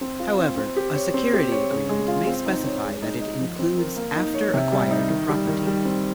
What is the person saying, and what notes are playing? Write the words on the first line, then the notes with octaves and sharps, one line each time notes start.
However, a security agreement may specify that it includes after-acquired property.
C4
F4
C4
C4
G4
C#5
C4
G4
C#5
C#3
G#3
F4
C4
D#4
C#5
G#3
D#4
D#5
F3
C4
A#4
A#3
D#4
C#5
C3
G3
D#4
D#3
G3
D#3
G3
C4